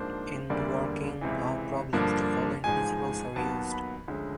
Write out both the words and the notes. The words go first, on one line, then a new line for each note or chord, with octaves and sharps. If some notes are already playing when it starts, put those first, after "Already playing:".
In working out problems, the following principles are used.
Already playing: G#2 F3 A#3 D4 C5
E1 D2 D3 G3 A#3 D5
C#2 C3 E3
G2 D3 F3 A#3 D4
A1 G#2 F3 G#3 G#5
D#2 D#3 F#3 B3 A5
B5
D2 D3 F3 G#3 C#4